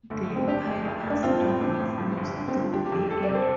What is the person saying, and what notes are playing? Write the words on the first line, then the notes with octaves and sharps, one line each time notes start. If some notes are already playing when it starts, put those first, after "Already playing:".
The Pipers River flows through the area.
G1 A3
A3
G1
C4
D4 G4
F2
F1
F1
D4
C4 F4
A2
C4 D4
A1
F3
G1
D3
C4
D3
F4
D4 G4
G4
F2
G4
A4
D5
C3
C5